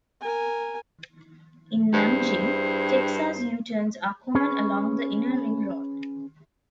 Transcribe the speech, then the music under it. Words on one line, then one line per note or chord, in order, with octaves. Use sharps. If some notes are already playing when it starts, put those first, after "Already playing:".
In Nanjing, Texas U-turns are common along the Inner Ring Road.
A#4 G#5
G2 E4 G#4 C5
C#4 G#4 B4 C#5